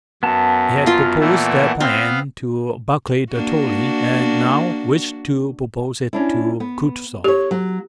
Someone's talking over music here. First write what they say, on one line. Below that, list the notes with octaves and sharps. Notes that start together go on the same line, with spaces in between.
He had proposed that plan to Barclay de Tolly and now wished to propose it to Kutuzov.
F#2 B3 A5
F4 A#4 F5
A#2 E3 A3
B3 C4 F5
A#3 D4 F#4
C#4 D4 E4
B3
G4 C#5 D5
F#3